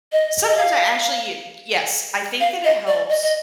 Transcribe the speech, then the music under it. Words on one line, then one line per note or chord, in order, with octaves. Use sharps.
Sometimes I actually you yes. I think that it helps
D#5
D#5
F5
F5
D#5
D5
D#5
D#5